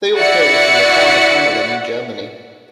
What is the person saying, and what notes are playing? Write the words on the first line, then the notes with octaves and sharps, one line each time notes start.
They all hail from the town of Hamelin in Germany.
E4 F#4 D5 E5 F#5 C#7